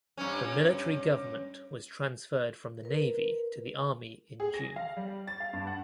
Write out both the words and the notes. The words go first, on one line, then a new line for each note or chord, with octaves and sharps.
The military government was transferred from the navy to the army in June.
G2 C#4
A#4 B4
G#4
A#6
F5
G3
A6
F5
G2
F#5